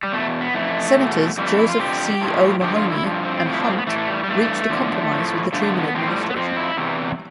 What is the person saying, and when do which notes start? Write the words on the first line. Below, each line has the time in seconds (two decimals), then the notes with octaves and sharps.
Senators, Joseph C. O'Mahoney and Hunt, reached a compromise with the Truman administration.
0.03 G3
0.13 E2 B2 A3
0.41 B3
0.54 F2 E3 A3
0.96 E2 B2
1.38 F2 E3 G3
1.47 A3
1.59 E4
1.69 F4
1.79 F2 D3 F3 G4
2.21 A2 F3
2.62 G2 D3 F3 G4
2.76 F4
2.90 E4
3.03 G2 F3
3.24 C4
3.46 A2 F3
3.54 E4
3.62 D4
3.71 C4
3.78 B3
3.87 A2 E3 A3
3.98 A3
4.08 G3
4.24 G3
4.28 G2 E3 A3
4.70 E2 D3 F3
5.11 A2 F3
5.53 G2 D3 F3 A3
5.74 B3
5.94 A2 F3 C4
6.08 G3
6.22 A3
6.30 B3
6.36 F2 D3 F3 C4
6.56 E4
6.77 E2 C3 E3